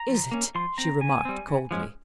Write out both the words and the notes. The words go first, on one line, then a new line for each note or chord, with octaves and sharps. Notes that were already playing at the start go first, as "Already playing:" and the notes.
"Is it!" she remarked coldly.
Already playing: A#5
F3
A#3 C#4
F3 C6
C4 A#5
C#3 G#5
G3 C4
C#3
F3 G#3 C#4